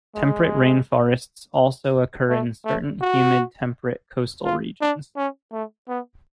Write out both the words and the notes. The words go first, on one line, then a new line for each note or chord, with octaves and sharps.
Temperate rain forests also occur in certain humid temperate coastal regions.
G#3
A3
A3
F#4
F4
D4
C#4
A3
B3